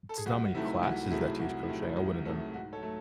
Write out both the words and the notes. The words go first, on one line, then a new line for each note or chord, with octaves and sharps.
there's not many classes that teach crochet I wouldn't
A4
G#4
C2 F#4
C3 D#3 F#3 A3 E4
C2 F#4
C3 D#3 F#3 A3 E4 G#4
C2 F#4
E4
E4
C3 D#3 F#3 A3
C2
C3 D#3 F#3 A3
G#2 F#4
A4 C#5
F#3 A3